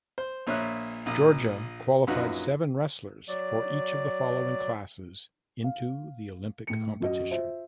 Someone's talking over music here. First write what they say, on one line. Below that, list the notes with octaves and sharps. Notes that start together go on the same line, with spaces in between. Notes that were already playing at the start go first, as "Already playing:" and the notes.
Georgia qualified seven wrestlers for each of the following classes into the Olympic competition.
C5
A#1 A#2 C#5 E5 F#6
A#1 A#2
A#1 F#2 D#4 F4 F#4 B4
F#3 D5
F5
A2 C#7
F#2 F#4 D#5
F4 C5 E5